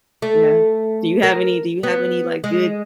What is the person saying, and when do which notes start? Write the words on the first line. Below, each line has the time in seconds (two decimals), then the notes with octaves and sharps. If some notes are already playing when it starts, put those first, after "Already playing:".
yeah. Do you have any do you have any, like, good
0.22 A3
1.23 A#4
1.83 B3
2.44 G#3